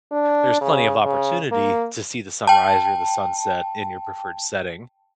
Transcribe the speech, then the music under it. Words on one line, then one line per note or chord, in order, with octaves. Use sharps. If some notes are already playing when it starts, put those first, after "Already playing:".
there's plenty of opportunity to see the sunrise or the sunset in your preferred setting,
D4
C#3
C#3
A#3
G5 A5